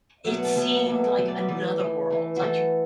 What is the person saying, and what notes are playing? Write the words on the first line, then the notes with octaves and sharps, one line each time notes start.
it seemed like another world. Like, you
B2 F#3 A3
F#5
A5
B2 F#3 A3 A5
F#5
B2 F#3 A3
B2 F#3 A3
D5
B4
E3 A3 D5
E3 A3
E3 A3
F#4
E3 A3 A4